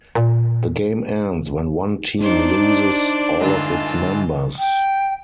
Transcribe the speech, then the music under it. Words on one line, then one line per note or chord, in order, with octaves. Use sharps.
The game ends when one team loses all of its members.
A#2
D4 D#4 C5 D5
D2 G2 G#3 F4 A5
G5